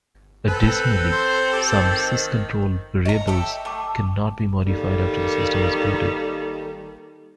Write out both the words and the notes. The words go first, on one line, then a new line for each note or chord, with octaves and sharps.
Additionally, some sysctl variables cannot be modified after the system is booted.
C4 A4 B4
C5
G4
D#3
C#5 D#5 A#5
G4 A4 E5
A3 G5 A5 D6
D#3 G3 A#3 A4